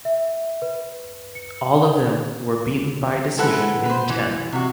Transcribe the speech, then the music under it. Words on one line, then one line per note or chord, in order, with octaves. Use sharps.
All of them were beaten by decision in ten.
E5
B4
C#7
G#3 E4 A4 B4 F#5
B4 C5
E3
C3 F#4